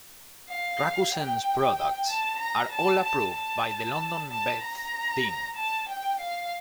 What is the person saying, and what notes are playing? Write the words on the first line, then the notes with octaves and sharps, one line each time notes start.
Rakusen's products are all approved by the London Beth Din.
F5
G5
A5
A#5
A5
A5
A5
A5
A#5
A5
G5
F5